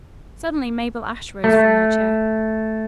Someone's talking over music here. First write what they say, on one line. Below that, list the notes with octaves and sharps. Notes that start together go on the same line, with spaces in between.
Suddenly Mabel Ashe rose from her chair.
A3